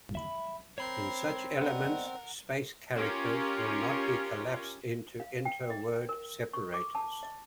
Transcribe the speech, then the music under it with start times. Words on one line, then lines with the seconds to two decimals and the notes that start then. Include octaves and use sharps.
In such elements, space characters will not be "collapsed" into inter-word separators.
0.15 E5 B5
0.78 C4 A#4 C#5 B5 G6 C7
1.61 B3 A#4 D5 D#5 F#5
2.95 C#4 F4 G4 A#4
5.20 F5
5.45 G5
5.70 D#5
6.09 A#4
6.53 C#6
6.74 D6
6.95 A5
7.23 D#5